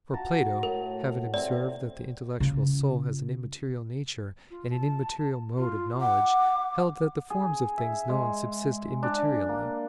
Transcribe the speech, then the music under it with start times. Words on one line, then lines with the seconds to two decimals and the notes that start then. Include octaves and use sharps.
For Plato, having observed that the intellectual soul has an immaterial nature, and an immaterial mode of knowledge, held that the forms of things known subsist immaterially.
0.13 F#4 A5 A#5
0.63 A2 A#4
1.34 C3 C4 D5
2.40 C#3 F4
4.50 F4
4.71 A5
5.58 F4
6.01 F#5 D6
7.30 G#4
7.78 E5
8.09 G#3
9.03 D4
9.49 A#3